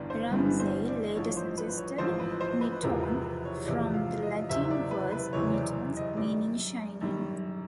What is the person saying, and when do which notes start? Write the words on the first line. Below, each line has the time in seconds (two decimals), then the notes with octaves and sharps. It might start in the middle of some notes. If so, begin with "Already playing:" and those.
Ramsay later suggested "niton", from the Latin word "nitens" meaning "shining".
Already playing: G1 G2 E3 G3 B3 D5
0.10 C5
0.31 G1 G2 E3 G3 B3 B4
0.60 C5
0.88 D5
1.15 A1 G#2 F3 C#5
1.37 C5
1.58 B4
1.77 C#5
1.98 A1 G#2 F3 C5
2.20 B4
2.41 C5
2.61 B4
2.82 E1 E2 C3 F3 G#3 A#4
3.03 B4
3.24 B4
3.45 C#5
3.66 E1 E2 C3 F3 G#3 D5
3.94 F5
4.23 D#5
4.49 F#1 E2 C3 E3 E5
4.70 D5
4.91 B4
5.12 B4
5.33 F#1 E2 C3 E3 C#5
5.54 D5
5.97 D#5
6.17 F#2 D#3 G3 D5
7.01 F#2 D#3 G3